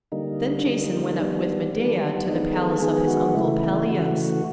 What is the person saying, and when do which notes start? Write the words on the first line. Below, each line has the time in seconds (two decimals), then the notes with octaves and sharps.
Then Jason went up with Medeia to the palace of his uncle Pelias.
0.12 D3 G3 A#3 D#4
0.66 D3 G3 A#3
1.19 D#3 G3 B3 D4
1.73 D#3 G3 B3
2.27 D#3 G#3 B3 D#4
2.54 A4
2.81 D#3 G#3 B3 G#4
3.08 F#4
3.34 C#3 E3 A3 E4
3.88 C#3 E3 A3 F#4